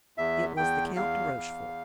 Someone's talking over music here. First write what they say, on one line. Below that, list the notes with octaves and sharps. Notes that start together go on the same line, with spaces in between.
It was the Count de Rochefort.
E2 E5
E2 G5
E2 F5
E2